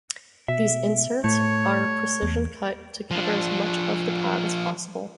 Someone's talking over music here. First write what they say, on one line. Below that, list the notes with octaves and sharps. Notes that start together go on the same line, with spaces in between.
These inserts are precision cut to cover as much of the pad as possible.
B2 E5
A2 A3 C#5
E2
F3 D4